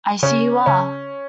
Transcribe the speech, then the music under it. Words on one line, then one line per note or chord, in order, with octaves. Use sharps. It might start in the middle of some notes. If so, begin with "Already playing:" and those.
I see you are.
C#3 C#4
C#3 C#4